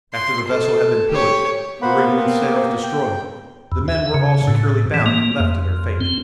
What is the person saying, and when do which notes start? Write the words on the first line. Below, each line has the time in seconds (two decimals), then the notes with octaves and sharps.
After the vessel had been pillaged, the rigging and sails destroyed, the men were all securely bound and left to their fate.
0.13 C6
0.48 A4
1.10 G4 C#5
1.82 A#3 B3 C5 F#5 B5
2.17 C4 C5
2.83 G5
3.72 E2
3.88 E5
4.14 C#3
4.47 A2
4.94 E3
5.06 A#3
5.40 F2
6.01 C4